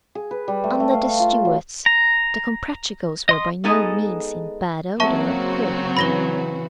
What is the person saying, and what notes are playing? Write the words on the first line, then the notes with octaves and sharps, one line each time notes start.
Under the Stuarts, the Comprachicos were by no means in bad odour at court.
G#4
B4
G3
A3
A3
F5
F5
F4
F#3
A#5
D#5 C6 D#6
G#3 B3 D#4 G#4 A4 D#5
C#3 F#3 A#3 C4 F#4 E5 A5 C#6
E3 B5 A#6 G7